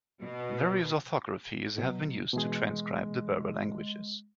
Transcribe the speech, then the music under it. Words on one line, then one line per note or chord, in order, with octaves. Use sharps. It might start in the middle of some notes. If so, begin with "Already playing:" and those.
Various orthographies have been used to transcribe the Berber languages.
B2
B2 F#3
B2 E3 G#3 G#4